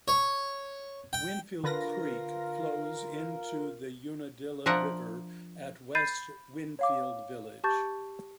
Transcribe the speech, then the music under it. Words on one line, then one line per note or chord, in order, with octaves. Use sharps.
Winfield Creek flows into the Unadilla River at West Winfield village.
C#5
G5
D3 F4 A#4 B4 A#6
F3 D4 A#4 E5 F#5
B5 G6 A6 C7 D#7
C#5 F5 D6
G4 A5 C#6 G6 A6